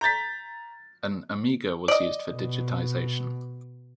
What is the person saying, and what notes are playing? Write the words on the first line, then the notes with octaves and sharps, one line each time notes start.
An Amiga was used for digitisation.
A#5 G6 A6 B6
D5 D#5
B2